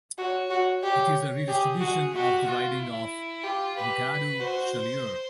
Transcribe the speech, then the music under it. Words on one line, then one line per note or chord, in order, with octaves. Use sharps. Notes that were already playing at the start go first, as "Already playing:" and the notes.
It is a redistribution of the riding of Nigadoo-Chaleur.
F#4 C#5
F#4
G4 C#5
G4 G#4
F#4
F#4 G4
F4
E4
F4 G4
G4 B4
F#4 C5